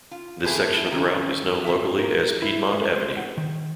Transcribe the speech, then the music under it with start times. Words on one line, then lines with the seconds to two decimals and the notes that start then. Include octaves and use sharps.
This section of the route is known locally as "Piedmont Avenue".
0.11 F4
0.43 E2 E4 G#4 A4 B4 D5
0.91 D#3 C#4
1.65 F2 C4 A4 E5
1.99 A#4
2.42 E4
2.73 G#3
2.96 C5
3.17 F#5
3.37 D#3